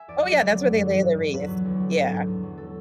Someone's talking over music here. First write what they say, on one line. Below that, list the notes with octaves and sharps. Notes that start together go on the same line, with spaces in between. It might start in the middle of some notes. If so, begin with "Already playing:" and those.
oh, yeah, that's where they lay the wreath. Yeah.
Already playing: E5 G#5
E2 D5
F#3
D2
F#3
F#2
E3
G#2
G#2
E2 B4
F#3
D2
F#3
G#2
G#2
E2
F#3
A4